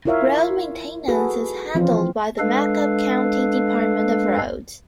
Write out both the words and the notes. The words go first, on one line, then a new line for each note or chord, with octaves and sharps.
Road maintaince is handled by the Macomb County Department of Roads.
E4 F4 A#4 C#5 E5 F5
F#4 G#4 A4 B4
E3 F3 C4 F4
G#3 D4 A4 B4 F5